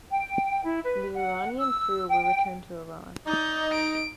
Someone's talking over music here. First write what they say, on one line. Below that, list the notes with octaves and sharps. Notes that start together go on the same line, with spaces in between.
The Iranian crew were returned to Iran.
G5
E4
B4
F#5
E6
G5
D#4 D5 G6
D7